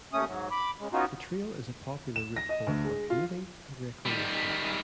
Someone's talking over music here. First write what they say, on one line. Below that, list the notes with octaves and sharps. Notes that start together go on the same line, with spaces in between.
The trail is a popular route both for commuting and recreation.
D#2 A3 C#4 D#6
G#2 F#3
B5 D6
C#3 G#3
B3 C#4 D#4 F4 F#4
E7
A#6
D#5
D2
G#3
F4
D#3 G3